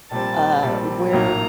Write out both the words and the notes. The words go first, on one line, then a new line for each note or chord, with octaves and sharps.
uh, where
A#1 A#2 G3 C4 A5
A#1 A#2 G3 C4
A#1 A2 F#3 A#3 D#4 A#5